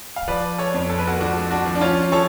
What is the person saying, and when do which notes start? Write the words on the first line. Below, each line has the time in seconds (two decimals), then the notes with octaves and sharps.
Pigs were reared here.
0.16 F5
0.28 F3 B4 D5
0.58 A4 C#5
0.74 F2
0.90 A4
0.98 B4
1.07 F#4 A4
1.20 F3 D4 F#4
1.51 D4 F#4
1.66 F3
1.75 D4
1.81 C#4 F4
2.12 F3 A4 C#5